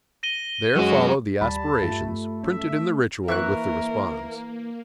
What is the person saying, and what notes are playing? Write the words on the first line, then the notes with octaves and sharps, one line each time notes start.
There follow the Aspirations printed in the ritual with the responds.
A#6 D#7 G7
F#3 G#3 C#4 F#4
D#2 G3 A5 B5
G2 A3 F4 G4
C#4 E5
E3 A#3 A#4 E5 C#6 F#6